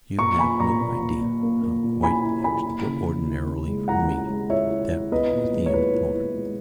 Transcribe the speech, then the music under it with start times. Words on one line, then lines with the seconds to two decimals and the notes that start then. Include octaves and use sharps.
You have no idea how quite extraordinarily for me that was the end of Florence.
0.18 A#2 A#5 C#6
0.39 A#2 G#5 B5
0.60 A#2 A#5 C#6
0.81 A#2
1.02 A#2
1.21 A#2
1.43 A#3
1.62 A#3
1.84 A#2
2.03 E4 G#5 B5
2.24 E4
2.44 A#3 G#5 B5
2.66 E4
2.85 C#3
3.06 C#3
3.27 E4
3.47 C#4
3.68 G#3
3.88 E4 F#5 A#5
4.09 C#4
4.30 G#3
4.50 E4 C#5 E5
4.71 E4
4.91 E4
5.12 B3 B4 D#5
5.32 A#2
5.53 G#3
5.66 C#5
5.73 E4 B4
5.94 E4
6.14 E4
6.34 G#3